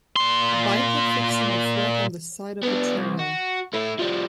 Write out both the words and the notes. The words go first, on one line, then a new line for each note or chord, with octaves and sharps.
Biker fixing a flat on the side of a trail.
A#2 C6
B3 D4
C2
F#4
A3 E4
F3 G3